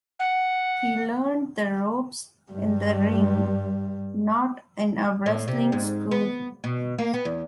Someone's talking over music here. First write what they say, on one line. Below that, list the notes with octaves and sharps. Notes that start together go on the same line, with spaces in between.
He learned the ropes in the ring, not in a wrestling school.
F#5
G2 G3
A2
C3
G#2
B3
B2
A#3
B3
E2